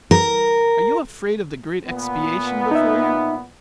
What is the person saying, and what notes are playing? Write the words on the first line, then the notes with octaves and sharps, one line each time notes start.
Are you afraid of the great expiation before you?
A#4
A#2 B3
D#4 E5